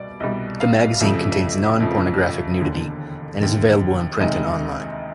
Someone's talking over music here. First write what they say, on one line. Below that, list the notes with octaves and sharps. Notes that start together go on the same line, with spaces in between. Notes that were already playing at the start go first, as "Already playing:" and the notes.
The magazine contains non-pornographic nudity, and is available in print and on-line.
Already playing: C2 B2 G3 D5
C2 B2 G3 D#5
F5
F2 C#3 F3 A3 E5
F2 C#3 F3 A3
E1 D#2 D3
E1 D#2 D3
D2 C3 D#3 G#3 D#5